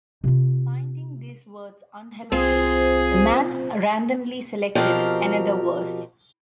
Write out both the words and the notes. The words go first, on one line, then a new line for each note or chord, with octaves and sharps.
Finding these words unhelpful, the man randomly selected another verse.
C3 F4
C2 C4 F4 G#4 C5
B2 F3 C4 G4 A#4